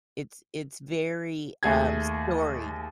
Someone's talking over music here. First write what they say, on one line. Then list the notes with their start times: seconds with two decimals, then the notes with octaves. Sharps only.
It's it's very, um, story.
1.63 D#2 A3 G#4 G#6